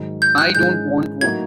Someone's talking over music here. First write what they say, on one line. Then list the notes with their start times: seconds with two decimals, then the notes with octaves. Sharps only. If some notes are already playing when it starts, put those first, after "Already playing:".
I don't want one.
Already playing: G#2 D#3 F#3
0.22 G6
0.38 F#6
0.55 G#2 D#3 G#3 C#4 E4 G6
1.21 A2 F#3 A#3 D#4 F#4 G#6